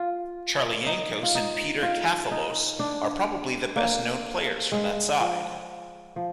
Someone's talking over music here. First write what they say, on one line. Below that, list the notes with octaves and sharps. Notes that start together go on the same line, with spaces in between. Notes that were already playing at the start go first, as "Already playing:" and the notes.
Charlie Yankos and Peter Katholos are probably the best known players from that side.
Already playing: F4
D#4
F4
D#4
F4
D#4
D4
A#3
G#3
F3
F3